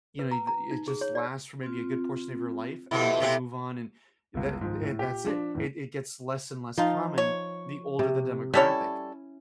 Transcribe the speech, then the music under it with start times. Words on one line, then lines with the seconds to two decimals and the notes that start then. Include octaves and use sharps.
you know, it uh, it just lasts for maybe a good portion of your life, and then you move on and that and that's it; it it gets less and less common the older the demographic.
0.19 B4
0.31 A#5
0.47 A#5
0.71 D#4
0.88 G#4
1.01 C#5
1.15 D5
1.63 C4 F4
2.91 B2 F3 E4 G4 A4
3.20 C3 G#3 C4
4.34 G1 C#2
4.61 G#2 D#3 F3
4.82 A2
4.99 A#2 G4 B6
5.24 F3 D4
5.54 E2 A2
6.78 F3 D#4 F4
7.18 C#5
7.99 C3
8.54 G3 C#4 E4 A4 C#5